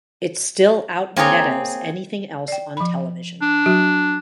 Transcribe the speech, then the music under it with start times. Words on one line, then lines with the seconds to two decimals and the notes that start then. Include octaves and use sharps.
It still out-metas anything else on television.
1.16 A#3 C4 G#4 C#5 A#5
2.48 D5 G5
2.77 F3 B5
3.41 D4
3.66 F#3 F#4